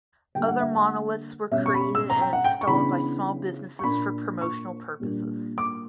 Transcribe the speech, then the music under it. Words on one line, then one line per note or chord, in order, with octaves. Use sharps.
Other monoliths were created and installed by small businesses for promotional purposes.
D3 G3 A#3 G5
F#5
E5
F#5
B2 G3 C#4 E5
C#6
B5
C#6
E6
A#5
G5
F#5
G5
C#6
C#3 E3 B3 D4 B5
C#6
A#2 A#3 D4 B5
C#6
A#2 G3 A#3 D4
D6